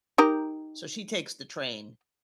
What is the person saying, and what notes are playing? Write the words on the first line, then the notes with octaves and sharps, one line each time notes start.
so, she takes the train
D#4 G4 A#4